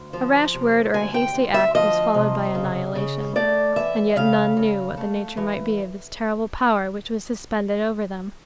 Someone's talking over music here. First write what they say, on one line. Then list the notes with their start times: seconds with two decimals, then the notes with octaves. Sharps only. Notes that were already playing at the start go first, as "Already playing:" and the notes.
A rash word or a hasty act was followed by annihilation, and yet none knew what the nature might be of this terrible power which was suspended over them.
Already playing: D2
0.13 F3
0.54 C3
0.94 D2 G#5
1.14 G5
1.34 D2
1.54 E5
1.75 F3 D#5
2.14 C3
2.55 C#3
2.95 C#3
3.36 A3 D5
3.76 E3 E5
4.16 C#3 F5
4.57 C#3
4.97 A3
5.37 E3